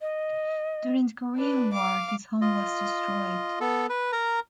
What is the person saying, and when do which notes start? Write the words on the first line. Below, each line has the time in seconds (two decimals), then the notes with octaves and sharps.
During the Korean War, his home was destroyed.
0.01 D#5
1.36 D4 B4
1.73 F5 D6
2.41 F4 D#5
3.60 B3 A4
3.89 B4
4.12 A#4 A#5